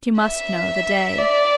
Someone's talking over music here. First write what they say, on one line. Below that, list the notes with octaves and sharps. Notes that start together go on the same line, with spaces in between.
She must know the day.
E5
D5